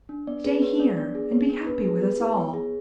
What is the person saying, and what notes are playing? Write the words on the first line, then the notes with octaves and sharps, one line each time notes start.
Stay here and be happy with us all.
D4
B3 D5
G#4 B4
B3 C#5
D4 D5
B3 D5
G#4
B3 C#5
D4
B3 B4
G#4
B3 B4
E4
B3 C#5
G#4